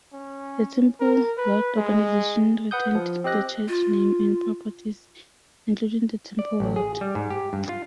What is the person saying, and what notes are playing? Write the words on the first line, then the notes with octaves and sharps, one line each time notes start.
The Temple Lot organization retained the church name and properties, including the Temple Lot.
C#4
A#4
B4
G#3
B4 F#5 D#6 G6
F3
C4 G4 D#5 F#6 A#6
F4
D5
A1
G#4
G3
G#2
G4
G2
F4